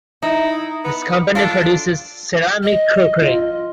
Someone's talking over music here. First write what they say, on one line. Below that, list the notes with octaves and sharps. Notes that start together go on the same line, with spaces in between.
This company produces ceramic crockery.
D#4 E4
B3
D4 F4 A4 D5
D#5
F4